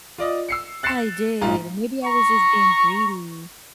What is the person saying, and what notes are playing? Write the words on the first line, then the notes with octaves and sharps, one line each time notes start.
I did. Maybe I was just being greedy.
F4 D5 D#5
E6 C7 C#7
F#6 A6 C7 C#7 E7
A#1 G#2 F4 A#5
A#5 C#6